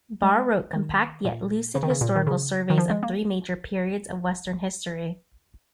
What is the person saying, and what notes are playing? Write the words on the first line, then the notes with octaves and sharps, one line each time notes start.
Barr wrote compact yet lucid historical surveys of three major periods of western history.
G#3
D#3
A#2
C#3
D#3
C#3
A#2
D#3
C#3
D#3
F3
G#3
A#3